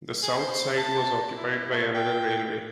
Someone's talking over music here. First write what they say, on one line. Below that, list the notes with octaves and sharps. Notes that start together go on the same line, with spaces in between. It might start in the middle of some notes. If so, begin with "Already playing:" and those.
The south side was occupied by another railway.
G#4
C5
A5
E4
A3
G5